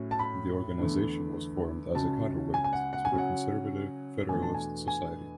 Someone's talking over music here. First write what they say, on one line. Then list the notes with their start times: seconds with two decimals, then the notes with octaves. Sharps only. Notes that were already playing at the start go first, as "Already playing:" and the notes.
The organization was formed as a counterweight to the conservative Federalist Society.
Already playing: A2 F#3 C#4
0.11 A5
0.19 B5
0.79 E2 D3 A3 D4
1.95 C#2 C#3 F#3 C#4 A5
2.54 G#5
2.64 G#5
2.73 F#5
2.93 F#5
3.05 G#5
3.12 C#3 F#3 C#4
3.18 F#5
4.29 E2 B2 A3 D4 G#5
4.43 A5
4.54 G#5
4.88 G#5